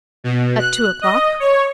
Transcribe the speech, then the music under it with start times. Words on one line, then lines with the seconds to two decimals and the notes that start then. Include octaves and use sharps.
"At two o'clock."
0.24 B2
0.59 F#6
1.01 D#5
1.40 C#5